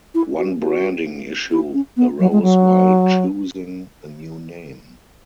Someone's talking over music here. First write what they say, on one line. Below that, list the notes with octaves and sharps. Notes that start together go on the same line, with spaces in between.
One branding issue arose while choosing a new name.
E4
F#4
F#4
E4
C#4
B3
F#3
G#3
F#3